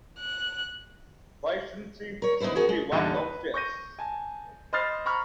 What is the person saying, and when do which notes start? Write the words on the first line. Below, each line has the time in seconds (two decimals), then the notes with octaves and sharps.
Why shouldn't she simply walk downstairs?
0.18 F#6
2.22 A#4 C#5
2.40 B3 D#4 E4 B4 C5
2.55 B3 C#4 F#4 G#4 A#4
2.69 G#3
2.91 E2 G2 A#2 D3 E3 D#4
3.15 B4
3.54 C#6 G6 A#6 D#7
3.99 G#5 A5
4.73 C5 D#5 B5 F6 A6 C7
5.06 A#5 B5 C#6 F6